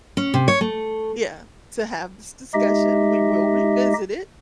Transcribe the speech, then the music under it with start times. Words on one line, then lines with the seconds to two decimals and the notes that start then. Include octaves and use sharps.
Yeah, "To have this discussion, we will revisit it,"
0.17 C#4
0.34 C3
0.48 C#5
0.61 A3
2.54 G#3 D#4 G4 D#5 E5